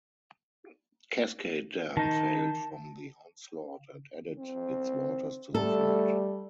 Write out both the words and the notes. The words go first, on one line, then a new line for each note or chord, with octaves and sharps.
Cascade Dam failed from the onslaught and added its waters to the flood.
D#3 D#4 A5
C4
G3 A3 A4